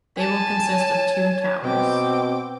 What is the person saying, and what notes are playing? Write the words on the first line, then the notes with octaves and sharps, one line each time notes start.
They will consist of two towers.
G#5 A5
C#5
B2 C4 G5 D6